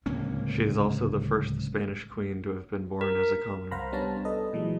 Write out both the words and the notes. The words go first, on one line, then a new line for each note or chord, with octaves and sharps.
She is also the first Spanish queen to have been born as a commoner.
D1 C#2 A#3 C#4
A#4
C2 C5 F5 F#5 A#5 B5
G3 B3 C#4 D4 C#5 A5
A4 B4 D#5
A#2 E3 F#3 G#3